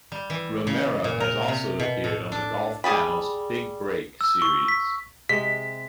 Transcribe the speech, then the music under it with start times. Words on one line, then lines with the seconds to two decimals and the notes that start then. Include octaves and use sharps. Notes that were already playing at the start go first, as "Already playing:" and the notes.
Romero has also appeared on The Golf Channel's "Big Break" series.
0.12 G3
0.30 E3
0.67 C#3
1.04 A#2
1.20 A#4
1.48 C3
1.80 B2
2.04 A2
2.32 D4
2.84 G3 G#4 A5 B5
4.21 E6
4.42 C#6
4.68 B6
5.29 C3 G#3 B6